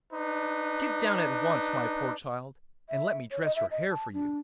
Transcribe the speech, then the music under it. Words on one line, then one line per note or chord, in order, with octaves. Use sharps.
Get down at once, my poor child, and let me dress your hair for you!'
D4 D#4 B4
E5
C#5
D#5
E5
D#5
A5
D4